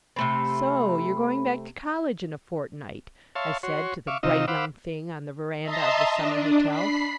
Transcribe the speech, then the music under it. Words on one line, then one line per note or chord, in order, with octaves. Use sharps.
"So you're going back to college in a fortnight," I said to the Bright Young Thing on the veranda of the summer hotel.
C3 A3 C4 B5
C#5 E5 F5 A5 C6
F#4 C#5 C6
E5 F5 C#6 D6
C3 D#3 D#4 F4 D#5 E6
C5 F5 F#5 B5 D6 E6
D#5 E5 A5 A#5 C6 D#6
D4
B5 B6 C7